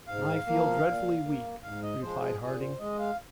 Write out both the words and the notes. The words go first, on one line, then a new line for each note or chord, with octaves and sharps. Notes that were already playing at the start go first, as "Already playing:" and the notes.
"I feel dreadfully weak," replied Harding.
G#2 F5
F3 A#3
A#2
A#3
G#2 F5
D#5
F3 G#3 C5
G#4
A#2 G#4
C5
G#3 D#5
F5